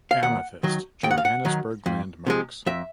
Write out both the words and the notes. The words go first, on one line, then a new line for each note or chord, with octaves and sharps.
Amethyst: Johannesburg Landmarks.
F5
D#2 F#5
D#3 F#3
D#2 G5
F#5
F5
F#5
D#3 F#3
F2
C3 F3 G#3
F2 E5